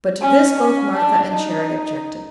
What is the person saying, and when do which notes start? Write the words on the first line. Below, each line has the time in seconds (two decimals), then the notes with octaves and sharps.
But to this both Martha and Cherry objected.
0.20 C#4
0.59 C#4
0.96 D4
1.35 D#4